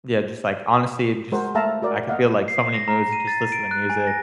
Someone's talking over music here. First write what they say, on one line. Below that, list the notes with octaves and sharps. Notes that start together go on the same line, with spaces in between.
Yeah, just, like honestly, it just I could feel, like, so many moods just listening to music
G#3 F#4 A#4 C5 F#5
A3 A#3 E5 F5 A5 A#5
F#4 A#4 D5
A#3 D#5 F5 F#5
C7
A#6
A#5
D#7
A6
D7
F#6
G#5
A#6